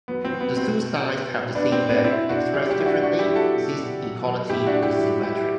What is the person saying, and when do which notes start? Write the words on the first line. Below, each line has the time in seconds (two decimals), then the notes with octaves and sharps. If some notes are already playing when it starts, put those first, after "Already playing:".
The two sides have the same value, expressed differently, since equality is symmetric.
0.08 F#3 B3
0.25 C4
0.33 F#3
0.41 B3
0.57 B2 C4
0.82 B2
1.07 B2
1.31 B2
1.55 B2 B3 D4
1.72 C4
1.80 B2
1.89 B3 D4
2.04 B2 C4 E4
2.29 B2 D4 F#4
2.53 F#3 E4 G4
2.70 E4 G4
2.78 F#3
2.86 D4 F#4
3.03 F#3 D4 F#4
3.19 E4 G4
3.27 F#3
3.35 F#4 A4
3.52 B2
3.77 B2
4.02 F#3
4.26 F#3
4.50 A2 E4 G4
4.66 D4 F#4
4.74 A2
4.83 E4 G4
4.99 F#3
5.23 F#3 E4 G4